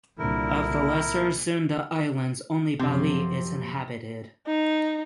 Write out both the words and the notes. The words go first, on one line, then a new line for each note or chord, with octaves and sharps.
Of the Lesser Sunda Islands only Bali is inhabited.
C2 A#2 D3 E4 A#4
F#2 C3 F3 F#3 C4
D#4